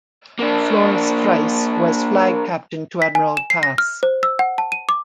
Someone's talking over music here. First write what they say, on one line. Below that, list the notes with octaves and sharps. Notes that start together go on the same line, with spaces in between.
Floris Friess was flag captain to admiral Kaas.
A#3 D4
B6
G#5
E7
C7
A#6
F6
C5
E6
F#5
A5
D#7
D6